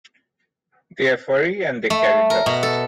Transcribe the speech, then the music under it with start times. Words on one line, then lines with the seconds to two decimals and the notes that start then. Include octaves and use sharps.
They're furry and they carry dust.
1.90 A3
2.30 A#4
2.46 B2
2.63 A4